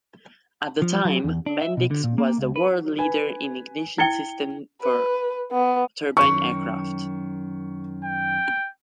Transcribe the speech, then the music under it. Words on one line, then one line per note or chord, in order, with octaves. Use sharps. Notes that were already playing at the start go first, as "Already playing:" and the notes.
At the time, Bendix was the world leader in ignition systems for turbine aircraft.
F3
F#3
E2
D4
E5
B2
D3
A#2
A#3
C#2
B4
B4 G#5
E4 G5 G#6 C#7 G7
B4
B3
F#2 D#3 C#6
G5